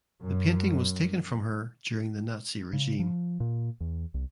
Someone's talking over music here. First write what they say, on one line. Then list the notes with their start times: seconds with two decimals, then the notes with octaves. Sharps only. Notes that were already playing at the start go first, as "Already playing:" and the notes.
The painting was taken from her during the Nazi regime.
0.23 F#2
2.73 C#3
2.99 F3
3.40 A#2
3.81 E2
4.14 C2